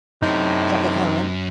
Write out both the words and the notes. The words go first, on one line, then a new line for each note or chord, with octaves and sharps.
Chaka Khan.
F#2 A2 C3 D#4